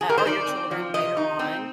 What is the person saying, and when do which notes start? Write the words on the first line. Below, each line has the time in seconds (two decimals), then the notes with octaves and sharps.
uh, or your children later on.
0.01 G#4
0.09 A#4
0.18 C5
0.26 D#4 D5
0.48 C4
0.71 F3
0.94 C3 D#5
1.17 D#4
1.39 C4